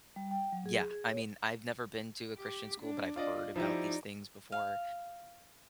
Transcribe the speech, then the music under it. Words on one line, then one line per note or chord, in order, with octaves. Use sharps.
yeah, I mean, I've never been to a Christian school, but I've heard about these things before,
G3
G5
F#3
G#4
G#4
C#5
G4
D4
F4 D5 D#5
F3 D#4 E4 G4 D5
F5